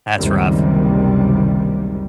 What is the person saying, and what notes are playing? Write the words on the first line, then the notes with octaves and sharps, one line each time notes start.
That's rough.
F#1 C#2 C3 D#3 G3